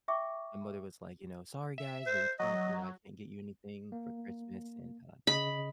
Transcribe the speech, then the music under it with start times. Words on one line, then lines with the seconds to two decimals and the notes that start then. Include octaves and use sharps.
my mother was like, you know, "Sorry guys, but we can't" you know, "I can't get you anything for Christmas," and, uh,
0.08 E5 G5 C#6 D6
1.78 E5
2.06 C5
2.39 F#3 D#5
3.92 A#3
5.27 C#3 D#5 B5